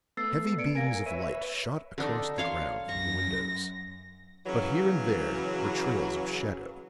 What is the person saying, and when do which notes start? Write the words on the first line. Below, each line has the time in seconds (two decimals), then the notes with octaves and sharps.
Heavy beams of light shot across the ground from the windows; but here and there were trails of shadow.
0.17 A3 B3 E6 A6 C7
0.58 D5 C#7 D7
0.75 A#4 F5 G#5 A#6 D7
1.06 B4 C#5 E5 D#7
1.98 D3 D4 D#4
2.38 C#5 F5 C6
2.89 F#2 C#6 A#6
4.47 C#3 E3 F#3